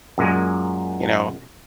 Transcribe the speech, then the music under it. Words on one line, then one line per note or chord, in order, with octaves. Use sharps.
you know?
F#2 A#2 G#3